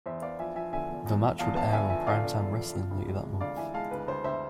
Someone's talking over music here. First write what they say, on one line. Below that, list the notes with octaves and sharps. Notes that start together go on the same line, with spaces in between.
The match would air on Prime Time Wrestling later that month.
E2 C5 E5
B3 D5 F5
F3 E5 G#5
F3 E5 G#5
D3 E5 G#5
E2
E2
E2
E2 F5 A5
B3 F5 A5
D3 E5 G#5
F3 E5 G#5
D3 D5 F5
D3
E2
F3
C3
D2
G#3
C3
D2 D5 F5
E3 E5 G#5
G#3 F5 A5
D2 B4
D2 C5
D2 C5 E5